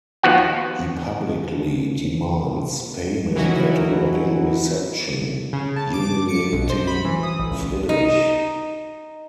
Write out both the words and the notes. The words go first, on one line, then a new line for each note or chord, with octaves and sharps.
He publicly demands payment at a wedding reception, humiliating Friedrich.
D#2 F3 B3 F#4 F#5
E3 F#3 C#4 D#4 E4 F#4
C#3
A5
D6
C#7
B1
C5
B5
E3
D#6
A1
C#2
D#4